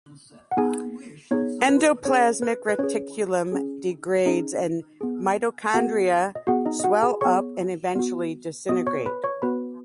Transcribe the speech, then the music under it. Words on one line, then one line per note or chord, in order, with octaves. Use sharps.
Endoplasmic reticulum degrades and mitochondria swell up and eventually disintegrate.
F#5
B3 D#4 G#4 G#5
B3 D#4 G#4 C#5
B4
C#4 G#4 C#5
B4
B4
C#4 G#4 C#5
C#4 G#4
C#4 D#4 G#4 D#5
B3 G#4
B3 F#4 G#4 F#5
D#5
B3 F#4 G#4 F#5
D#4 D#5
D#5
F#4 F#5
G#4 G#5
B3 G#4 C#5 C#6
B3 F#4
B3 F#4 D#5 D#6
C#5 C#6
B4 B5
C#5 C#6
B3 F#4 B4 B5